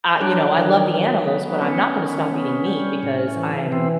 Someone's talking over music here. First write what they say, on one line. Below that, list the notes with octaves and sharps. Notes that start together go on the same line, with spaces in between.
I you know, I love the animals, but I'm not gonna stop eating meat because I'm,
F#3 D4
D#3
F#3
B3
B3 C#4
D#3
B3
G3
A2
E3
E3 C4